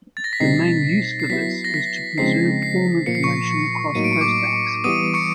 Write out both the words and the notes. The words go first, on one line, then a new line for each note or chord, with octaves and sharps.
The main use for this is to preserve form information across postbacks.
A6
A#6
B6
B2 G3 C4 D#4 C7
C7
F#3 B3 E4 B6
A#6
B6
C#3 F3 G#3 C4 D#4 C7
C7
A#2 F3 A#3 C#7
C7
C#6 C#7
A2 F#3 A#3 D#4 D#7
D7
C#7
D6 D7
E3 G3 B3 D#6 D#7
C#6 C#7